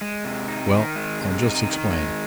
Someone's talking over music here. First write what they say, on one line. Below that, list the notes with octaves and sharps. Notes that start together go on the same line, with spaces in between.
Well, I'll just explain.
G#3
C3
D#4
D#3
G#3
C3
D#4
D#3
G#3